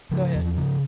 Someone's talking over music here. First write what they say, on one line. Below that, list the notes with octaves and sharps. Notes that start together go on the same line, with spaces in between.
go ahead.
C#3 F3
E2
C#3